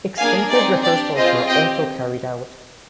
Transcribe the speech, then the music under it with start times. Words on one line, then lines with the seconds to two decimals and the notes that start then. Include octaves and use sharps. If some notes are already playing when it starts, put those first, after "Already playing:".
Extensive rehearsals were also carried out.
0.18 A#3 D4 G#4 F5 G#5
0.50 C4 D#4 G#4 D5
0.82 D4 G4 D5
1.15 C4 F4 G#4 C5 D#5
1.47 C4 G4 D#5 G5